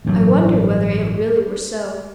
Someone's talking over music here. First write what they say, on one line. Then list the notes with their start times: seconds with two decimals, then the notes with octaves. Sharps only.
I wondered whether it really were so.
0.05 A1 G2 F#3